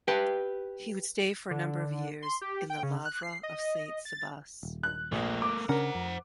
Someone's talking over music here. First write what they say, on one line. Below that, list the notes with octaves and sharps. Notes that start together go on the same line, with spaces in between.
He would stay for number of years in the Lavra of Saint Sabas.
G4 B4 G5
D3
C6
G4
G5
C#3
F#6
C7
D#5
A6
D#1
F#6
A#1 A3 A#3
D6
C#3 C#4 D4 A#4 C5 F#5
F2